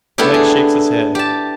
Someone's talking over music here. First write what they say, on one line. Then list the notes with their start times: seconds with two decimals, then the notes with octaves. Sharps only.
Wegg shakes his head.
0.18 A3 B3 D4 E4 G4
0.34 G#4
1.15 G4 A5